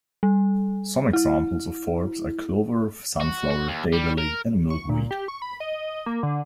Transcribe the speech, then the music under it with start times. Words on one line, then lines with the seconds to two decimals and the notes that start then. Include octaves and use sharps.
Some examples of forbs are clover, sunflower, daylily, and milkweed.
0.23 G3
1.13 E4
3.20 F#4
3.51 F#4
3.68 D#2
3.93 G3
4.18 A#4
4.70 C#6
4.89 A#2
5.11 G4
5.28 C#6
5.42 B5
5.60 D#5
6.06 A#3
6.23 D3